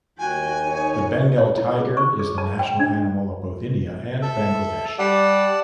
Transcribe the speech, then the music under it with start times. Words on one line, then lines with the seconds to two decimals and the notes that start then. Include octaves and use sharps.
The Bengal tiger is the national animal of both India and Bangladesh.
0.19 D#2 F#4 G5 G#5
0.64 D#4 C#5
1.38 C#5
1.58 E4
1.79 G#4
1.97 C#6
2.19 G#4
2.38 A5
2.59 G5
2.80 D4
4.22 A4 E5
4.99 G3 D5 F#5 A5